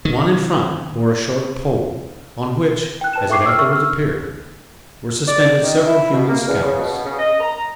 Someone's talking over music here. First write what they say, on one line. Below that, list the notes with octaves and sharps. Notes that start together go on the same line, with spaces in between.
One in front bore a short pole, on which, as it afterwards appeared, were suspended several human scalps.
D#3
G5 F#6
B4 A5 E7
A4 E5 G5 C#6 D6 C7
E6 F6
A#4 E5 C#6
E6 F6
D5
D#3
E4
B2
A#3
E2
C#3
B2
C#3
D#5
A#5